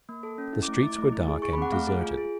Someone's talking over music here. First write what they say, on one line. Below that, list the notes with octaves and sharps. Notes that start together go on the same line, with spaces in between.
The streets were dark and deserted.
A#3
A4
C#4
E4
D6
A3
D6
E4
A3
E4
G#4
G#4 C#6
B5
C4 F#5
A3 F5
G#4
F4
G#4